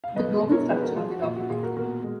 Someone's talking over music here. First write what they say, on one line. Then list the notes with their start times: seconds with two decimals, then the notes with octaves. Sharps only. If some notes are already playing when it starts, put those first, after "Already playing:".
The global structure of the document.
0.04 F5
0.16 B2 B4 D#5
0.43 B2
0.52 A#4 C#5
0.70 F3 G#4 B4
0.83 F#4 A#4
0.96 F3 F4 G#4
1.10 F#4
1.23 A#2 F4
1.36 F#4
1.50 A#2 F4 G#4
1.63 F#4 A#4
1.77 B2 F#4 A#4
2.04 G#3